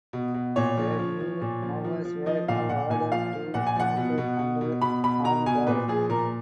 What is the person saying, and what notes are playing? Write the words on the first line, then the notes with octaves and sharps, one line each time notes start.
The new mowers were now ordered to operate under armed guard.
B2
B2
A#2 C#5
F3
F3
F3
A#2
F3
F3
F3
F3 D#5
A#2 F5
A#2 F#5
A#2 G#5
F3 F5
F3
A#2 F#5
G#5
F3 F#5
B2
B2
B2
B2
B2 B5
B2 B5
B2 A#5
B2 G#5
A#2 B4
F3 G#4
A#2 A#4